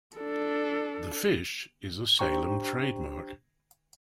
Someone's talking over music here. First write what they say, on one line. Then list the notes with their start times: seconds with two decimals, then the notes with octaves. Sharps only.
The Fish is a Salem trademark.
0.16 D4 A4
2.19 D4 G4 C5 G5 A#5 C#6